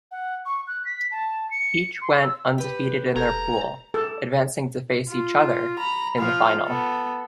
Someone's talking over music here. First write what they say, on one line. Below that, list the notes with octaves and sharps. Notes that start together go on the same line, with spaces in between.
Each went undefeated in their pool, advancing to face each other in the final.
F#5
C#6
F#6
B6
A5
C#7
C6
E6
G4 B4
E1 A4 A#5 G6 G#6
A4
F4
A#5 B5
F3 F5
B3 A4